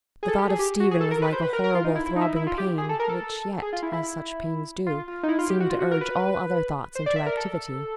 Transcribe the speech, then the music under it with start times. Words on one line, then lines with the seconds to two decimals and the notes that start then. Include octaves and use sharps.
The thought of Stephen was like a horrible throbbing pain, which yet, as such pains do, seemed to urge all other thoughts into activity.
0.23 G#4
0.28 A4
0.38 G4
0.49 G#4
0.59 G4
0.80 F#4
0.91 G#4
1.01 A4
1.11 A#4
1.22 B4
1.32 C5
1.42 B4
1.53 A#4
1.64 A#4
1.75 F4
1.84 D#4
1.95 E4
2.06 E4
2.16 D#4
2.21 E4
2.26 D#4
2.36 E4
2.47 F4
2.58 G4
2.78 G#4
2.89 A4
3.00 A#4
3.09 A4
3.62 G#4
3.73 F4
3.83 E4
3.93 E4
4.03 E4
4.87 F4
5.08 F4
5.23 D#4
5.29 E4
5.39 F4
5.50 G4
5.60 F#4
5.70 F4
5.80 F#4
5.91 A#4
6.01 B4
6.95 C5
7.06 D5
7.16 E5
7.26 A#4
7.37 A4